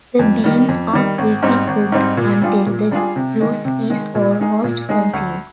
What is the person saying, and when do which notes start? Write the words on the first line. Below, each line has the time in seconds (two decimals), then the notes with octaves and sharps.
The beans are quickly cooked until the juice is almost consumed.
0.19 F2
0.44 D#3 G3
0.69 F2
0.93 D#3 G3
1.18 G#1
1.42 G#2 G3 C4 D#4
1.68 G#1
1.92 G#2 G3 C4 D#4
2.17 A#2
2.42 G3 D4 F4 G#4
2.66 A#2
2.91 G3 D4 F4 G#4
3.16 C3
3.40 D#3 G#3
3.65 C3
3.90 D#3 G#3
4.15 A#2
4.40 G#3 D#4 G#4
4.64 A#2
4.89 G#3 D#4 G#4
5.13 D2